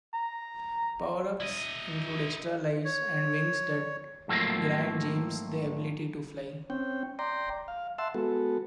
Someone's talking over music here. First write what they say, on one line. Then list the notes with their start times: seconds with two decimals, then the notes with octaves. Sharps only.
Power-ups include extra lives and wings that grant James the ability to fly.
0.14 A#5
1.40 E4 D#5
2.85 C#5
4.28 G#2 F3 F#3 A3 A#3 C4
6.70 C4 C#4 G5
7.19 D5 G5 A#5 C6
7.68 F5
7.98 E5 F#5 A5 C6 E6
8.14 G#3 B3 F#4 A4